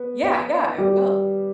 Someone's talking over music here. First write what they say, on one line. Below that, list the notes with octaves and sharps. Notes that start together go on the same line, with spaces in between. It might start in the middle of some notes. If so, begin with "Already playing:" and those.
Yeah, yeah, it will.
Already playing: B3
G3